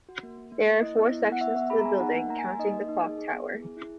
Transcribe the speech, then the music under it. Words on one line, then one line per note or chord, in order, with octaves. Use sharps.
There are four sections to the building, counting the clock tower.
F#4
A#3
A#3
A#3
A#3
E4 D#5
B3
E4
B3
F#5
B3 E5
B3 E5
G#4 B5
A#5
B3 G#5
D#4 F#5
A#3
A#3 A#5
G#5
A#3
D#4 D#5
A#3
D#4
G#4
G#4
B3
E4
G#4
E4